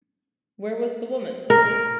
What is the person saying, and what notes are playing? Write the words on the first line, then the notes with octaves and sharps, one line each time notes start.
Where was the woman?
A#4